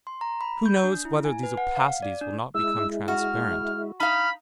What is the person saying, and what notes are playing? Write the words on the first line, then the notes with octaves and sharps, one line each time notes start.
Who knows whether these opacities will not become transparent?
C6
A#5
B5
G6
D4
E4
G#5
B4
F#5
F5
D5
D4
G#3 E4 E6
F#4 F6
D#4 F5 B5 F6